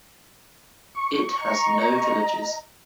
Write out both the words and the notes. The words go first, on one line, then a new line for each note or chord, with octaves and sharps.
It has no villages.
C#6
D#5 A#5